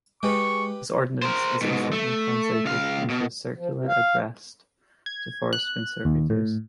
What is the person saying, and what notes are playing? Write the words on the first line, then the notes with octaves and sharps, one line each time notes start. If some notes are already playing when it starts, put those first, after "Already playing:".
This ordinance is instantly translated into a circular addressed to forest conservators.
G#3 G4 B4 C#6
A#4 C5
G#2 B2
A3
C#2 F5
B2
F3
C3
F5
G#6
F#6
D#2
A2